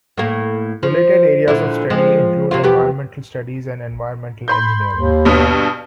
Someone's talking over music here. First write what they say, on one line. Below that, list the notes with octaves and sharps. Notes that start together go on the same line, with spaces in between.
Related areas of study include environmental studies and environmental engineering.
A2 A#3
F3
A#2 D3 E4
F3 G#3 C4
C3 A#3 F4
E2 B3 G4
B5 C6 G6
D#2
G2 B2 B3